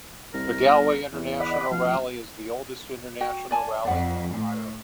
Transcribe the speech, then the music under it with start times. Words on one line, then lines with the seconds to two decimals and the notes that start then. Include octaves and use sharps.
The Galway International Rally is the oldest International rally in Ireland.
0.34 C2 A#4
0.65 G1
1.12 E2
1.40 D5 D#5 F#5 B5
1.71 A1 F3 F5
3.21 F#4 G5
3.51 D5 G#5 A5
3.85 F2 D5 F#5
4.32 A2